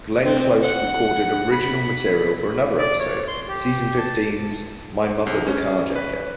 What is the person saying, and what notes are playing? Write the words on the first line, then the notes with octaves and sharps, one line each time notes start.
Glenn Close recorded original material for another episode, season fifteen's "My Mother the Carjacker".
C4
F#5
B5
D5
C#5
C6
G4
A5
C2
C#4
B4